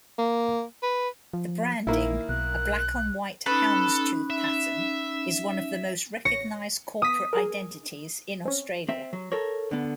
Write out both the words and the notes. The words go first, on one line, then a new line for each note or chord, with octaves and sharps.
The branding-a black-on-white houndstooth pattern-is one of the most recognized corporate identities in Australia.
A#3
B4
F3
A#1 D#3 A#3 E4
B1 F#6
C#4 D#4 A4 B4
E5
A1 C#5 A#6 C#7
B3 D#6 B6
G#4 A#4
C4 C#4
C4 E5
F#3
A4 A#4 C#5
D3 B3